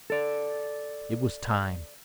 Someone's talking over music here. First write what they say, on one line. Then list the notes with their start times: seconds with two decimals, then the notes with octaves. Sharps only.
It was time.
0.10 A4 D5